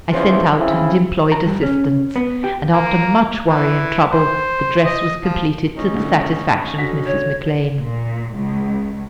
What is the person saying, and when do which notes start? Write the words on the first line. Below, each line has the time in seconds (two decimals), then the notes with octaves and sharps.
I sent out and employed assistants, and, after much worry and trouble, the dress was completed to the satisfaction of Mrs. McClean.
0.12 E2 C#4 E4 F4 C5
0.58 C#3 C4 E4
1.32 A#5
1.46 G2
1.63 C#4
2.16 B3
2.44 G4
2.73 A#3
3.49 E3
4.12 C5
4.85 D#5
5.24 F3
5.76 C#2 C#4 D#4
5.93 A2 D3
6.78 D3 F#4 A#6 B6
7.06 C#5
7.78 A#2
8.34 C#2